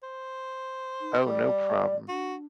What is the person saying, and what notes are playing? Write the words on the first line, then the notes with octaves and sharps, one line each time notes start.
Oh, no problem.
C5
D#4
G3 D5
D4 F#4